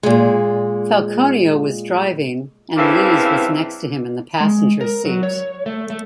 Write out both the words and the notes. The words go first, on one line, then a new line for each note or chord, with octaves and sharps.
Falconio was driving and Lees was next to him in the passenger seat.
A#2 G#3
G2 C#3 E3 A#3 C4 E4
G#3
A#4
F#3
C#5
A3
A3